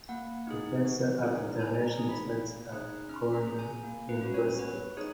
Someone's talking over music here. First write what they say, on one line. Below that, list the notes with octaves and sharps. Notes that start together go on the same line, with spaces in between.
Professor of International Studies at Cornell University.
A#3 F#5
D#4 G#4
B3
D#4 G#4
B3 G#5
A#5
D#4 G#4
B5
A#3
D#4 G#4 F#6
C#4 F6
A#5
G#4
G#5
A#3
B4
C#4 F#4
C#5
B3 B4
D#4 G#4 C#5